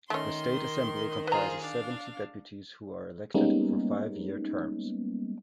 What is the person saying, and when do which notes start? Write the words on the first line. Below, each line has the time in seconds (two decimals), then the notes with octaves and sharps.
The State Assembly comprises seventy deputies who are elected for five-year terms.
0.10 D#3 A3 C#4 C6
1.27 F4 G#4 B4 C5 A#5
1.60 D4 F5
3.34 G3 G#3 A#3 B3 C#4 D#4